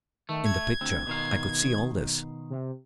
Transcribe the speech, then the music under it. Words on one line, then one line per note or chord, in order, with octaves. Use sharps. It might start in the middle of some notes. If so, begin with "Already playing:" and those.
In the picture I could see all this.
D#3 A3
G#6
D2 C4
B2 D#3 F5
C3